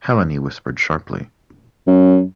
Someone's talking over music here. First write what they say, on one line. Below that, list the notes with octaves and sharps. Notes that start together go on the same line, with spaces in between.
Helene whispered sharply.
F#2